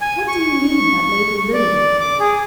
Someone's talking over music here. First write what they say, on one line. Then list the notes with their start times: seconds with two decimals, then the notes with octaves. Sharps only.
What do you need that later liberty for?
0.01 G#5
0.28 C#6
1.54 D5
2.00 D6
2.20 G#4